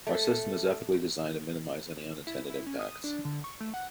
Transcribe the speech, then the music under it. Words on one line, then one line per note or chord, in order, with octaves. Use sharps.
Our system is ethically designed to minimize any unintended impacts.
A3
E4
E4
C#4
D#6
D4
D3
C#6
A3
F#5